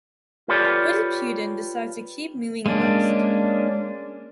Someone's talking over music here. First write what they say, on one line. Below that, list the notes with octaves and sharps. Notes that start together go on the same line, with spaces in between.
What if Putin decides to keep moving west?
F4 G4 A4 B4 C#5 D5
G#3 A#3 C#4 D4